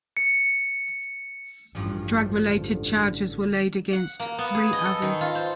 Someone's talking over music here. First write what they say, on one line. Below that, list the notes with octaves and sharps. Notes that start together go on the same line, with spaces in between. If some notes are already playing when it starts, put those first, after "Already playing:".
Drug-related charges were laid against three others.
C#7
A1 E2 G2 F3
D3
F#5
A#3
B3
G#4
D#5
A4
D#3
F4
C5